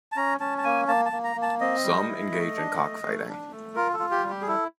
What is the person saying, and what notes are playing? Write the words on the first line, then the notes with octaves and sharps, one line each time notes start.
Some engage in cockfighting.
A5
C#4 A#5
C#4 A5
A5
A#3 G#5
A#3 A5
A5
A#3
A#5
A#3
A5
C4 D#5
G3
E4
A3
D4
A3
A3
D4
A3
F4 A#4
A4
F4
G4
G3
G4
G#4
E4 A4